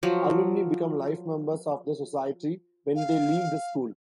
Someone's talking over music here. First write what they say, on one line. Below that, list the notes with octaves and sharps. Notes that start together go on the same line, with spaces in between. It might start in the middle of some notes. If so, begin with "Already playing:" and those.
Alumni become life members of the Society when they leave the school.
F3 F#3
F5